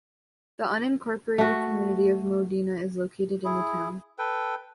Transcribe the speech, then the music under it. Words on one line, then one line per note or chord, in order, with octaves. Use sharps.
The unincorporated community of Modena is located in the town.
A3 F#4
E4 G#4
A4 B4 G5